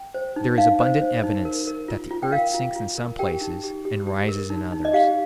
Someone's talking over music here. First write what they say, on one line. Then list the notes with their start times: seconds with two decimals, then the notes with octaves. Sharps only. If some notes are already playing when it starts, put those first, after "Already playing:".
There is abundant evidence that the earth sinks in some places and rises in others.
Already playing: G5
0.14 C5
0.36 D#4
0.58 D#4 F5
0.80 C5
1.02 C5
1.23 D#4
1.45 A#4
1.67 A#4
1.88 F4
2.11 F4
2.23 G5
2.32 A#4 F5
2.54 F4
2.76 F4
2.98 A#4
3.19 G4 A#4 G5
3.41 D#4
3.64 G4
3.85 G4
4.07 G4
4.29 A#4
4.50 D#4
4.72 D#4
4.85 D#5
4.93 G4 F5